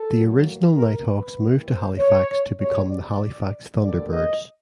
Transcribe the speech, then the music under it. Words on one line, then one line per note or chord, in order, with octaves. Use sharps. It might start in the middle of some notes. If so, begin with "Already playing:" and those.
The original Knighthawks moved to Halifax to become the Halifax Thunderbirds.
Already playing: A4
A2 F#3 A#3
A#4
B4
G2 E3 G3 A#3
C5
C#5
E2 B2 G3 C#5
D5
D2 D3 G3 A#3 D5
D#5